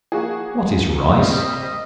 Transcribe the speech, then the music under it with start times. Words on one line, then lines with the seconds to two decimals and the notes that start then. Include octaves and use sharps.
What is Rice?
0.12 A#3 F#4 G#4
1.19 G3 A#3 C4 D#5